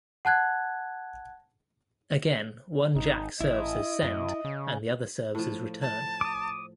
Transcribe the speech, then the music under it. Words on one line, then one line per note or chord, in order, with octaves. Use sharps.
Again, one jack serves as send and the other serves as return.
F#5 A5 F#6 G#6
G#1 D#4
A1 E4 D#5
F#2
C#3
A2 F3
A5
D6 D#6